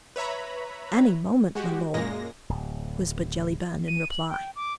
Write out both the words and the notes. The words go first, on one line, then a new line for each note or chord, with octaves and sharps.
"Any moment, my lord," whispered Jellyband in reply.
B4 C#5 E5 A#5 B5
G#3 F#4 G4
F#2 A#2 G#3 A#3 A#6
D1
D#7
F#7
G5
D6